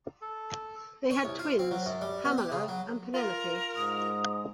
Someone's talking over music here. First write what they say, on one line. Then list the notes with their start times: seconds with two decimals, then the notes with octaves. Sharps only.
They had twins, Pamela and Penelope.
0.22 A4
1.11 C#5
1.25 C2
1.39 F4
1.59 C4
1.71 F#3
1.86 F#2
2.01 G3
2.25 B3
2.38 G4
2.52 C#3
2.68 F#3
3.14 F4 A#4
3.76 G#2 D#6